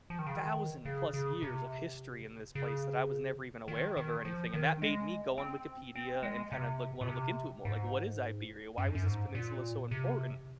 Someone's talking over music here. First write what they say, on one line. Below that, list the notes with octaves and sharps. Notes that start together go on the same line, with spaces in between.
thousand plus years of history in this place that I was never even aware of or anything, and that made me go on Wikipedia and kind of look like, wanna look into it more, like, what is Iberia? Why was this peninsula so important?
F3
D#3
C#3
D#3
C#3
C#3
C3
C#3
D#3
D#3
F3
D#3
G#3
C4
C4
G#3
C3
A#2
C3
G#2
F#2
F#2
G#2
A#2
C3